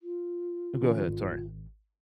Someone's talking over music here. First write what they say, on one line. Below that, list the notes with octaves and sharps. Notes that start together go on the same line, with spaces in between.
You go ahead, sorry.
F4
D3 E3 C#4
G#1